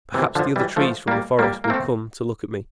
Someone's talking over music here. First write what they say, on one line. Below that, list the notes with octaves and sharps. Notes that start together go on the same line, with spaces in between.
Perhaps the other trees from the forest will come to look at me!
C3 E3
D3 F3
E3 G3
F3 A3
G3 A#3
G3 A#3
A#3
A3 C4